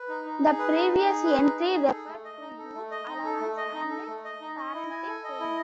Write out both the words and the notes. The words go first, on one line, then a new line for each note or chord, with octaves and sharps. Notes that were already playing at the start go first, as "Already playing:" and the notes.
The previous entry referred to Youth allowance and Parenting Payment.
Already playing: B4
D#4
D#4
G#4
B4
D#4
D#4
G#4
B4
D#4
D#4
G#4
A4
A3
D#5
D#4
A4
A3
D#5
D#4
A4
A3
D#5
D#4
A4
A3
D#5
D#4
D#5
E4
G#5
A4
D#5
E4